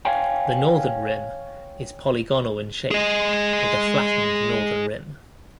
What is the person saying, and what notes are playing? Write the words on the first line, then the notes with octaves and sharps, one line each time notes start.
The northern rim is polygonal in shape, with a flattened northern rim.
C#5 F5 G5 G#5
G#4 D#5